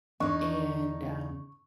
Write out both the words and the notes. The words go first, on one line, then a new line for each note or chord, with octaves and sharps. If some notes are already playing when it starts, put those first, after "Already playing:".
and, um
E2 D4 D#4 D#5 C#6